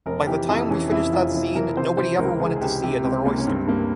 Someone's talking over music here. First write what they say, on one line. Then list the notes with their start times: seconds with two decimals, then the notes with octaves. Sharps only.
By the time we finished that scene, nobody ever wanted to see another oyster.
0.06 F1 A#4
0.27 E3 G4
0.48 F2 E4
0.70 E3 C#4
0.91 F2 E4
1.12 F1 F4
1.34 F1 E4
1.55 E3 A#4
1.76 C3 C5
1.97 E3 C5
2.19 C#2 A#4
2.40 C#2 G#4
2.56 G#4
2.61 C#2 G4
2.83 C3 G4
3.03 C#2 C4
3.25 C#2 A#3
3.38 C#4
3.47 G2 C4
3.67 G2 A#3